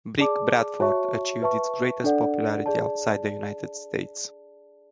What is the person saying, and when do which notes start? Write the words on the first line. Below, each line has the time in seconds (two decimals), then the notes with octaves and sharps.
"Brick Bradford" achieved its greatest popularity outside the United States.
0.19 G#4 D5 A5 D6
0.80 F#4 C#5 E5 A5 C#6
1.42 B4 E5 A5 C#6
2.04 D4 A4 D5 F#5
2.66 G#4 D5 A5